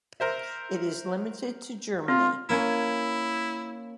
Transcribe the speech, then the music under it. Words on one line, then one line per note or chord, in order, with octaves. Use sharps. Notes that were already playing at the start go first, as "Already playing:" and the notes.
It is limited to Germany.
A#4 C5 E5
C4 F4
A#3 C#4 E4